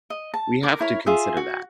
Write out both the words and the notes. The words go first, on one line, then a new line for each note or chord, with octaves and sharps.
We have to consider that.
D#5
A5
A#4 D6
E4 A#4 C#5
F4 G#4 E5
F#4